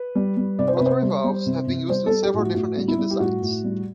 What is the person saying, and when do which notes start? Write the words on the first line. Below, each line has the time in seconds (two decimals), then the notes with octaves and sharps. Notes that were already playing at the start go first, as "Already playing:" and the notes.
Rotary valves have been used in several different engine designs.
Already playing: B4
0.15 G3
0.37 G3
0.59 C3 D5
0.68 C5
0.77 C3 B4
0.86 C5
1.03 G3
1.24 G3
1.46 C3
1.67 C3
1.90 G3 C5
2.06 G3 A4
2.23 G4
2.33 A2
2.38 F#4
2.55 A2 F#4
2.77 G3
2.88 E4
2.98 G3
3.10 G4
3.20 A2 F#4
3.42 A2
3.64 G3